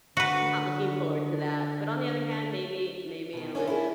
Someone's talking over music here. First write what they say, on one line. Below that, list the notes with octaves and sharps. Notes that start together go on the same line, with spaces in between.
not looking forward to that, but on the other hand, maybe maybe it'll end up
D3 F#4 B4
B2 D#3
C#4 D4 F4 A#4 C#5
E4 G#4